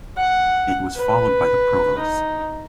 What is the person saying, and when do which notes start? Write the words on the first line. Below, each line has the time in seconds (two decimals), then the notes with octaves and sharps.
It was followed by the Provos.
0.17 F#5
0.97 B4
1.98 D#4